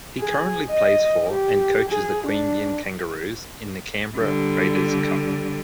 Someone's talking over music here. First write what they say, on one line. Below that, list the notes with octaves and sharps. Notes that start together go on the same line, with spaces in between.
He currently plays for and coaches the Queanbeyan Kangaroos in the Canberra Raiders cup.
G#4
D#5
G4
G#4
D4
D3 G3